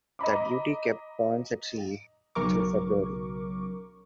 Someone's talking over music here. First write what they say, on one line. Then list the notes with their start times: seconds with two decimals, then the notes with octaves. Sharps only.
That duty kept "Ponce" at sea through February.
0.19 D#5 A#5 B5 D6
2.35 B1 C#3 F#3 A#4 C#6 D6